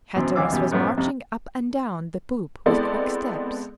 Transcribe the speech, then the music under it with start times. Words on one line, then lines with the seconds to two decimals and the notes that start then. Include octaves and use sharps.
Hatteras was marching up and down the poop with quick steps.
0.16 F#2 B2 E3 C4
0.35 G#1 D2 E3 F5 D6 E6
0.51 F#2 B2 E3 G4
0.71 F#2 A2 F3 B3
0.97 F2 C3
2.66 G#3 B3 C4 E4 A4 D5